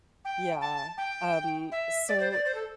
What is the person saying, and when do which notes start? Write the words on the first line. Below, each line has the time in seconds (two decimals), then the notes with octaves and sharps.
Yeah. Um, so,
0.25 G5
0.61 A5
0.97 G5
1.72 E5
2.09 D5
2.20 C5
2.32 D5
2.45 C5
2.55 A4